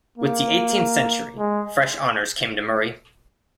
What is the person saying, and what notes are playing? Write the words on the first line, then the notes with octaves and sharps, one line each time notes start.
With the eighteenth century fresh honours came to Muri.
A#3
G#3